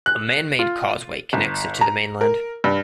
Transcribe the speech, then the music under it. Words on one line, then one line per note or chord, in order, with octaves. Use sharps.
A man made causeway connects it to the mainland.
F#6
F4
G1
A#5
A#4
G2